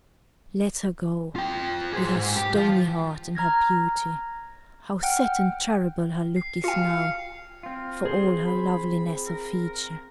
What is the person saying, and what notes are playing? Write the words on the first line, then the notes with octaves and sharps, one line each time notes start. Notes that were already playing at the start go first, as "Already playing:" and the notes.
Let her go,--with her stony heart, and her beauty;--how set and terrible her look is now, for all her loveliness of feature!
F4 G5
G#4 C5
G#2
G4
F3 F4
A#5 F6 G#6 A#6
F#5 G5 F6 D7
C7
F4 F5 G5 C#7
C4 F4 F5
G#4 C5 C6
B5
A#4